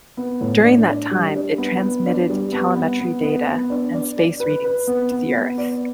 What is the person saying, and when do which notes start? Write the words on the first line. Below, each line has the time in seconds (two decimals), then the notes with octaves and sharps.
During that time, it transmitted telemetry data and space readings to the Earth.
0.17 B3
0.41 A2
0.64 D4
0.88 D4
1.11 G3
1.36 D4
1.58 B3
1.82 B3
2.06 D4
2.30 G3
2.52 B3
2.76 B3
3.00 B3
3.23 B3
3.47 B3
3.70 D4
3.94 D5
4.17 D5
4.40 B4
4.64 B4
4.87 B3
5.11 B3
5.34 B3
5.58 D5